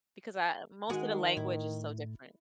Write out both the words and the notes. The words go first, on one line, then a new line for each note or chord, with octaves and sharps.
because I most of the language is so different.
D#3 G#3 F#4 G#4
A2 E4